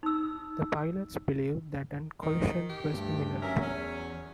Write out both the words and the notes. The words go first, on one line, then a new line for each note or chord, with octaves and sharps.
The pilots believed that a collision was imminent.
D#4 E6
D#3
G4
D2 G2
F#3 C#4 A#4 E5
E2 C#4